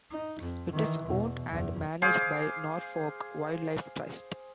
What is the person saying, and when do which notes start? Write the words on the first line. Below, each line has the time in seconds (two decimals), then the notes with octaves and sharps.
It is owned and managed by Norfolk Wildlife Trust.
0.11 D#4
0.40 F2
0.72 D#3 E3
1.04 E2 B2
1.47 F#1 E2
2.02 G#4 C5 F5 D6